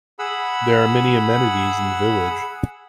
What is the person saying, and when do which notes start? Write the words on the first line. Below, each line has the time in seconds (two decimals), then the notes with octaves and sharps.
There are many amenities in the village.
0.19 G#4 F#5 B5 E6